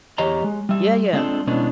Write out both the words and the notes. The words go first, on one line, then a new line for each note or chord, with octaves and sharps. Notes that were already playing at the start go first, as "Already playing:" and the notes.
Yeah, yeah.
E2 G4 C#5 D#5 A#5
G#3
G3 E5
G#3 C4 D4 F4 G4 A4
B2 G#3 B3 C#4 D4 E4